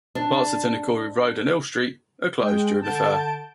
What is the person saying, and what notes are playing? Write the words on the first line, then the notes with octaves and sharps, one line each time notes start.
Parts of Tinakori Road and Hill Street are closed during the fair.
D4
G#3 G5
D3 A5 G6 D7